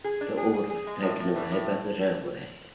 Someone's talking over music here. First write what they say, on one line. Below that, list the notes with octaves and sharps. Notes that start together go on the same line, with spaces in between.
The ore was taken away by the railway.
G#4
D4
G#4
G#4
G#4
G#3
A2
A2
E3
A2